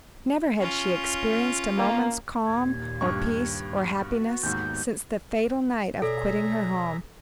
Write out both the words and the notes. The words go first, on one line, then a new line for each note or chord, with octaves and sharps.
Never had she experienced a moment's calm, or peace, or happiness, since the fatal night of quitting her home.
C#4 F4
A#3
D#2 A#2 G#6
G2 C#6
B3 F#4
D#2 G#2 G6
B2 G#4 A4 C#5 D5 E5 A#5